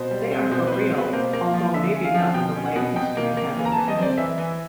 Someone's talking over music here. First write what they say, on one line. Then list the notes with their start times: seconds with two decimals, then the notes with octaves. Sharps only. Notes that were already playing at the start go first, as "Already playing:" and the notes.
They are for real-although maybe not in the way history had intended.
Already playing: B2 C5
0.11 G3
0.31 C4
0.51 B2 C5
0.67 C4 B4
0.93 B2 B4
1.13 A#3 C5
1.33 A#3
1.54 F3
1.74 D3 E5
1.94 C#4
2.05 F5
2.14 F3
2.34 B2 G5
2.55 C#4
2.65 F#5
2.76 B2
2.96 B2 G5
3.17 A#3
3.37 A#3
3.57 E3
3.65 A#5
3.72 E3 A5
3.88 D#5
3.98 C4 D5
4.17 E3 E5
4.38 E3